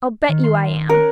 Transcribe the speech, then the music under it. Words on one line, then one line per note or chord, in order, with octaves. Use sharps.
"I'll bet you I am!"
D#3
C6
C#4 A#4 F#6